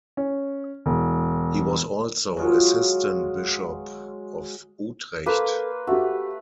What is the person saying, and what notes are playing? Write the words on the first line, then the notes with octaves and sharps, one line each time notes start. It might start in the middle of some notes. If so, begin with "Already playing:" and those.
He was also assistant bishop of Utrecht.
C#4
E1
F#3 G#3 F4 F#4
A#3 A4 B4 C5
A3 F#4 G4